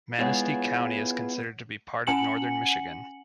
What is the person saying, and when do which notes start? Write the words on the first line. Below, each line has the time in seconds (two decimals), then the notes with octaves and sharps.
Manistee County is considered to be part of Northern Michigan.
0.19 G#3 B3 E4 F4 G#4 C#5 F#5
2.07 C#4 F#5 G#5 C#7 F#7